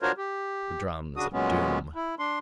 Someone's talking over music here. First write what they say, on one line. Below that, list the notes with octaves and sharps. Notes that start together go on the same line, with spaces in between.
The drums of Doom!
D4 F4 F#4 A#4 C5 C#5
G4
C#3 D4 F#4 D#6
A#2 F#3 G#3 B3 C#4
E4
D4 C6